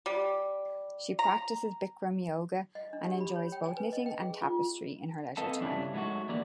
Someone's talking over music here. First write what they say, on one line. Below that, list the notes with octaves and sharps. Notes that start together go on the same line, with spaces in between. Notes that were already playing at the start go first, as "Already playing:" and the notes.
She practices Bikram Yoga and enjoys both knitting and tapestry in her leisure time.
G3
A#5
D#5
D4
G4
B5
C#5
G5
G#5
B4
D#5
G5
G#4
F4
C4 A4 B4 D#5 F5 A5
G2 C#3 G3 C#4 D4 E4
G#2 F#3 G#3 A3 F#4
E3 A#3 D4 G4 D5